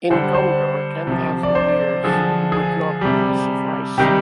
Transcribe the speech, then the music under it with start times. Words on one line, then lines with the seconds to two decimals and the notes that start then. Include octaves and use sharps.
In Gondor ten thousand years would not suffice.
0.10 D3 G3 C5
0.34 C5
1.07 C3 F3
1.43 D5
1.55 C5
2.04 D3 F3 G#4
2.52 G#4
3.01 C3 G3
3.98 C3 D#3 G3 G4